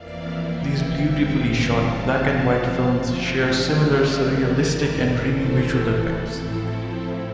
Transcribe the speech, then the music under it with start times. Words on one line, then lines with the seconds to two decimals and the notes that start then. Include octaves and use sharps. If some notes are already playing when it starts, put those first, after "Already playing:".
These beautifully shot, black and white films share similar surrealistic and dreamy visual effects.
Already playing: F2 E3 A#3 E4 D5 F5
0.39 E5 G5
0.92 E2 D3 G3 C4 E5 G5
1.44 F5 A5
1.97 G2 F3 C4
3.02 D3 F3 A3 C4 E5 G5
3.54 D5 F5
4.06 E2 E3 G3 A#4 D5
5.12 E2 E3 A3 E4 A4 C5
5.64 A4
6.18 A2 F3 C4 E4